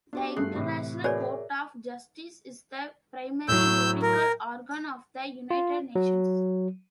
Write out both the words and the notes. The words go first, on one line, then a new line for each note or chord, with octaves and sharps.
The International Court of Justice is the primary judicial organ of the United Nations.
B3 D4 F#4 G4 D6
G2 A3 G#4 F#6 C7
A2 C3 E3
F#4 G#4 A#4 B4 C#5 D5 E5 G#5
A2 F#3 E6 G6
A#4
F4
F#3